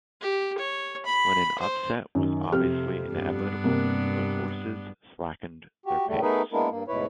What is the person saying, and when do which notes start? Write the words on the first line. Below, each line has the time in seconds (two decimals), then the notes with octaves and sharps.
When an upset was obviously inevitable, the horses slackened their pace.
0.21 G4
0.58 C#5
1.06 B5
1.60 C5
2.15 F#2 D#3
2.52 F2 C3 G4 F6
3.14 G2 B3 D4
3.64 C3 A#3
5.86 F#4 G4
6.07 A2 C#3 G3 A3
6.22 A3 B3 D#4 G#4 A#4 B4
6.52 G#3 A#3 B3 D4 E4 A#4
6.69 G2 A#3
6.88 D2 G#2 B2 E4 B4 C#5